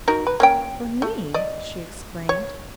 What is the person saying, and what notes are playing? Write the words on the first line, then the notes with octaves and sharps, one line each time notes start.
"For me!" she exclaimed.
D#4 F#4 A#4
B4
A#3 C#4 G5
A3
D5 D#5
C#5